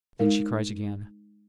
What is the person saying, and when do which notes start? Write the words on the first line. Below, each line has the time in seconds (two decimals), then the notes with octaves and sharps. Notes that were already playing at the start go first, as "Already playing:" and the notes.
Then she cries again.
0.19 G#3 D#4 A#4 F5